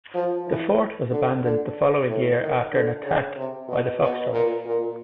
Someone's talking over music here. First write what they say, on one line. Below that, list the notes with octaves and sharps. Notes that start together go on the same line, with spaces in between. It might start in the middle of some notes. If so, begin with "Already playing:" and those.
The fort was abandoned the following year after an attack by the Fox tribe.
F3
E3
D3
D3
A2
D#3
D3
C#3
C3
B2
B2
A#2
A#2